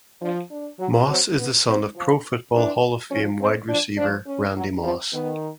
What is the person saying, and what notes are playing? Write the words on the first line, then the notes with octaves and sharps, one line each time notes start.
Moss is the son of Pro Football Hall of Fame wide receiver Randy Moss.
F3 D4
D4
F#3
F#3 C4
B3
C4
F3
E3 D4
F3 C#4
C4
F3 D4
F3 D4
C#4
F#3
F3 C4
D#3 B3